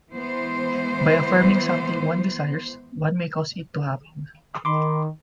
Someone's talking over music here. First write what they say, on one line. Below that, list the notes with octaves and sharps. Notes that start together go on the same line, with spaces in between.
By affirming something one desires, one may cause it to happen.
E3 G#3 B3 C5
D#3 B5 C6 D6